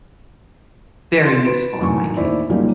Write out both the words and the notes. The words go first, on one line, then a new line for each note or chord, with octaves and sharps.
very useful, in my case.
C6 A6
F#4 B4 D7 E7
F#2 A2 D#3 E3 G#5 C#6
D#2 D#3 E4 C5 D5 E5
A#2 C#3 F#3 G3 A#3 D#4